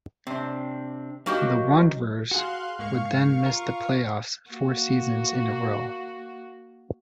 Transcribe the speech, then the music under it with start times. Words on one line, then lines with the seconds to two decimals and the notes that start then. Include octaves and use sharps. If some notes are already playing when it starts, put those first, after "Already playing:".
The Wanderers would then miss the playoffs four seasons in a row.
0.27 C3 C4 D4
1.26 F#3 A#3 F#4 G4 D#5
2.31 F#4 G#4 F5 C6 F#6
2.79 G#2 G#3 A#3 F5 C#6
3.46 F4 A#4
4.50 A#3 F#4